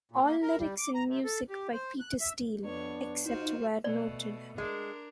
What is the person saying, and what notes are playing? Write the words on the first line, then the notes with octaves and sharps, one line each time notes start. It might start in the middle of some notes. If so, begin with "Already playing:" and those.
All lyrics and music by Peter Steele, except where noted.
A#2
A#3
A#4
G3
D6
A#5
C3
A4
G4
C5
F#6
E5
F2 B3 D4 C#5
D#4 F4 F#4 C5
B2 A3 D5
G#3 D4 A#4